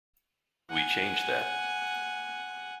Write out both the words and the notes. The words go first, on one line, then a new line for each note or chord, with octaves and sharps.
We changed that.
F#5 G#5